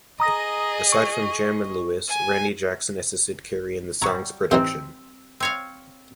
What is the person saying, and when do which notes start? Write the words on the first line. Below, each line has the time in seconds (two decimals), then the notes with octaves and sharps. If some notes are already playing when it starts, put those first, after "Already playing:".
Aside from Jam and Lewis, Randy Jackson assisted Carey in the song's production.
0.20 G#4 D#5 A#5 D#6 A#6
0.92 C#6
2.08 G#5
4.02 F#3 G3 A#5 C#6
4.51 C3 E3 C4 D#4
5.40 C4 C#5 F5